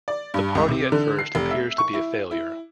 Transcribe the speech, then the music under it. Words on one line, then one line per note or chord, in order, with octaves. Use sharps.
The party at first appears to be a failure.
D5
G2
C#2
C3
D3
C7
F1
E5
C#6
E4
E4